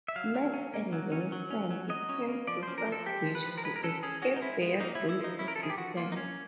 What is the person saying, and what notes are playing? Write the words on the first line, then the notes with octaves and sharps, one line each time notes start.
Matt and Vincent came to South Beach to escape their dull existence.
E5
F#3 F5
F#3
C#4
A#3
F#3
C#4
F#3
C#4
F#3
F#3 D#5
C#4
A#3
F3 D5
C#4 C5
A#4
F3
A4
G#3 G4
F3
B4
F3
A#4
G#3 B4
A#4
C#4 A4
C#4 G#4
C#4 F#4
D#4
G#3 E4
G#3
A#3 D#4
E4
F3
E4
F3 D#4
C#4 E4
A#4
A4
F3 G#4
G4
F3 F#4
A#3 F4
D#4
C#4